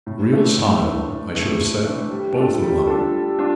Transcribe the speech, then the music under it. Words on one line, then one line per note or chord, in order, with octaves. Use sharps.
Real style, I should have said--both of them.
A2
E3 A3 D4
A2
E3 A3 D4
A2
E3 A3 D4
A2
E3 A3 D4
G3
D4 F4 A4
G3
D4 F4 A4
G3
D4 F4